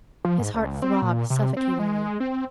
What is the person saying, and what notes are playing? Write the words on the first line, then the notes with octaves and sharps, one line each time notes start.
His heart throbbed suffocatingly.
F3
G#2
C#2
C4
A#2
C3
C4
G#3
C4